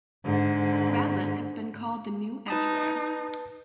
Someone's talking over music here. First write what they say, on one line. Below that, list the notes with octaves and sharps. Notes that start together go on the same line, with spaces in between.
Radlett has been called the new Edgware.
G#2 D3
D#4 B4 A5 D#6